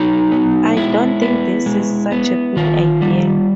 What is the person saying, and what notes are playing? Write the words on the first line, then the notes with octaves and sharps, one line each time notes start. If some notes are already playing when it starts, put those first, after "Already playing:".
I don't think this is such a good idea.
Already playing: F#3 D#4
B3
G#3 E4
B3
G#3
B3
D#3 F4
G3